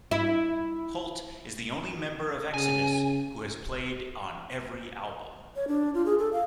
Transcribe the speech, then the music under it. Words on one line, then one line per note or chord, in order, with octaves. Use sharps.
Holt is the only member of Exodus who has played on every album.
E4
C#3 G#5
C#5
D4
F4
G#4
A4
F5